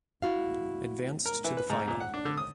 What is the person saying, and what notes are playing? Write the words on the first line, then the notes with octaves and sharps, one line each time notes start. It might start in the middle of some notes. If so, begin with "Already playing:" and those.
Advanced to the Final.
E4 F#4 F5
A#4
E3
B4
G#2
A#2
F#5
D4
D3
D#6